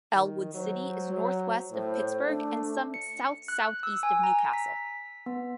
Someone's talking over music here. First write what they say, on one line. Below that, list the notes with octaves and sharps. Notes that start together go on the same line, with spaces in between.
Ellwood City is northwest of Pittsburgh and some south-southeast of New Castle.
D#3
F#3 C5
F#3
A2 C5
A3 D4
C#7
F#6
E6
G#5
A#5
B6
B3